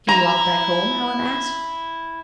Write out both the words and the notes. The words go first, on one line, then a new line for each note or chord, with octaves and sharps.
"Can you walk back home?" Alan asked.
E4 A#5